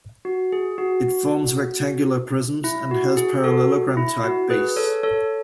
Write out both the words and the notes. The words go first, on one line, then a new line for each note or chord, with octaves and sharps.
It forms rectangular prisms and has parallelogram type base.
F#4
G#4
F#4
E4
F#4
G#4
F#4 A4
E4
F#4
G#4 B4
A4 C#5
A4 C#5